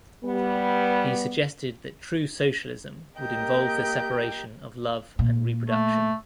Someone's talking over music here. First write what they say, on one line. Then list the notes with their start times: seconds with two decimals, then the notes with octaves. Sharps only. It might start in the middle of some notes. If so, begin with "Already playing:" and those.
He suggested that true socialism would involve the separation of love and reproduction.
0.23 G3 B3
3.19 A#3 G4 A#4 D#5 G5 G6
5.19 A#2
5.68 A3